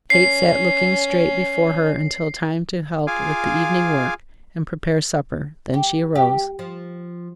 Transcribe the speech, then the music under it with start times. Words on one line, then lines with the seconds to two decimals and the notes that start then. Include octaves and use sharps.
Kate sat looking straight before her until time to help with the evening work, and prepare supper, then she arose.
0.10 C#4 C7
3.07 F4 G#4 F5 G#5 D6
5.74 G4
6.15 G4
6.59 F3